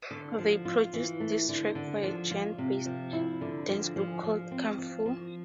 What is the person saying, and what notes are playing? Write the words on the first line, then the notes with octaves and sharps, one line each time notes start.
They produced this track for a Ghent-based dancegroup called Kung Fu.
D3
F3
F4
E3
A3
D3
D3
F3
F4
C3
F3
E4
D3
F3
F3
F3
C4
F3
F3